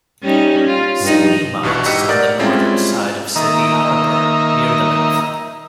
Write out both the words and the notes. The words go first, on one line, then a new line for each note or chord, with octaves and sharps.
Sydney Mines is on the northern side of Sydney Harbor, near the mouth.
G3 C#4 D#4
F4
G2 D#4
B1 G2 B2 E3 C#6
G#2 G4 D#5 E6 B6 C#7
A#4 D5 F#5 G6 A6
G3 G#3 C4 C#4 E4 F4
D#3 A#3 D#5 E5 A#5